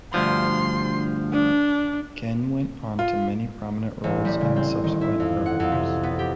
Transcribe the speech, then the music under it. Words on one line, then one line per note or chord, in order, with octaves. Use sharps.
Ken went on to many prominent roles in subsequent programs.
D2 G2 F3 C6
D4
F4
A1
G3
C#3
C4
D#3
E4
F2
F#5
F2
C3
B3
G4